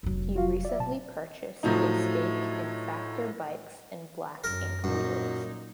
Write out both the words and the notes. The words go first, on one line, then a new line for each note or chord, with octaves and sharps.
He recently purchased a stake in Factor bikes and Black Inc wheels.
F1 F#3
F4 F#4 F5
D5 E5
B2 A5
A2 F3 F#3 D#4
F#2 A#4
F#2 A#2 D#4